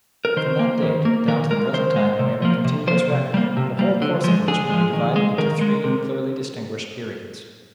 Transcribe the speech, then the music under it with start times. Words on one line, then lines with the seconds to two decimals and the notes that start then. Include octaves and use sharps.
From that date down to the present time we have a continuous record, the whole course of which may be divided into three clearly distinguished periods.
0.25 A#4
0.37 D#3 C5
0.59 A#3
0.82 D#3
1.05 A#3
1.28 D#3 A#4
1.51 G#3 A#4
1.74 D#3 C5
1.96 G#3
2.19 C3
2.42 F3 A#3
2.65 C3
2.87 F3 A#3 C5
3.11 C3
3.34 G3 A#3
3.57 C3
3.79 G3 A#3
4.02 D3
4.24 F3 G#3
4.48 D3 G#4
4.70 F3 G#3
4.93 D#3
5.16 G#3
5.38 D#3 A#4
5.61 G#3
5.84 C3